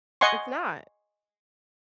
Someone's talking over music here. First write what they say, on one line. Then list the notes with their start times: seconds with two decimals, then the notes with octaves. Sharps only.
It's not,
0.21 D#5 F#5 G#5 C6 C#6